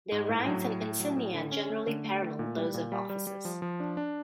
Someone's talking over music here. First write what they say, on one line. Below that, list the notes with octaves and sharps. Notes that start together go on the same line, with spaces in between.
Their ranks and insignia generally paralleled those of officers.
G#2
A2
F#3
A2
A2
F#3
A2
D3
C#4
A3
D3
A3
A3
A#2
G3
A#2
G3
G3
G3
F3
F3
D4
D4